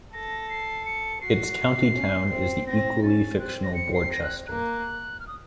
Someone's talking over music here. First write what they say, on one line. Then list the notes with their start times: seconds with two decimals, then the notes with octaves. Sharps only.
Its county town is the equally fictional Borchester.
0.13 A4 A#6
0.50 C7
0.86 C#7
1.21 F#4 C7
1.94 C#4
2.30 C4
2.66 C4 A#6
3.03 C#4 A6
3.39 C4 F#6
3.63 A#6
3.75 C#7
3.94 C7
4.12 A#6
4.23 F#6
4.47 A#3 F#6
5.20 F6
5.27 D#6